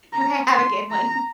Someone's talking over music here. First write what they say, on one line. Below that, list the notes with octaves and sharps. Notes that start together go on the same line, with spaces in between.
Okay, have a good one.
A#5
C6
A#5